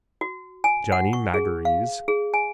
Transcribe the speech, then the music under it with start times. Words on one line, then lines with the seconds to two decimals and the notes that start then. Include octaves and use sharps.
Johnny Magories.
0.21 F#4
0.64 G#5
0.92 F#5
1.13 C#6
1.34 G#4
1.65 F5
2.08 G#4
2.34 G#5